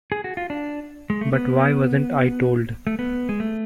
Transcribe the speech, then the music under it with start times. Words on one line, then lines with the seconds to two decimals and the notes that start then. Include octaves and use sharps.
But why wasn't I told?
0.12 G#4
0.24 F#4
0.37 F4
0.50 D4
1.10 G#3
1.21 A3
1.33 B3
2.87 A3
2.99 B3
3.29 G#3
3.40 A3